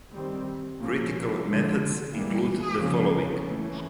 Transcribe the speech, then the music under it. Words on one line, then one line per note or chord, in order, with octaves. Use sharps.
Critical methods include the following.
D#3 G3 C4
A#2 F3 A#3 C#4
D3 F3 G#3
E3 G3 A#3
C#3 F3 A#3 C#4
E3 A3 C#4